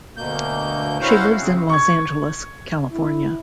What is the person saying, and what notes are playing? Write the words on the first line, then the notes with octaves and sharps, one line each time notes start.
She lives in Los Angeles, California.
D2 B2 A#3 G6
C#4 E4 F#4 C5 F5 F#5
C#3 C4
C#6 G#6
E4